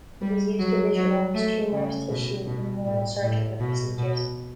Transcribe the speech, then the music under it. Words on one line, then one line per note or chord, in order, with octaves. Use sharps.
It is used to visualise tumorous tissue in neurosurgical procedures.
G3
F#3
F#3
A3
C#3
B2
B2
A2
A2
B2
B2